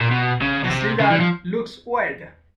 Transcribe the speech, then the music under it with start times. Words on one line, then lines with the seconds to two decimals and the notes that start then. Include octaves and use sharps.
This lizard looks weird.
0.01 A#2
0.11 B2
0.41 C#3
0.64 B2
0.70 C3
1.00 C#3
1.10 E3
1.20 F3